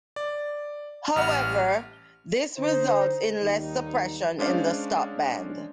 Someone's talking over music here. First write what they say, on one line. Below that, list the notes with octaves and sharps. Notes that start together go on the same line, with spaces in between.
However, this results in less suppression in the stopband.
D5
A1 G3 F#5 F6
D3 D#4 C5
D#2 D#3 G3 D#4
G#3 C#4 D4 C5 D5 F5